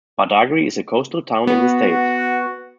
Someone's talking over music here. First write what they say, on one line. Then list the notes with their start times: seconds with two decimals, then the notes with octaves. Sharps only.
Badagry is a coastal town in the state.
1.47 B3 F#4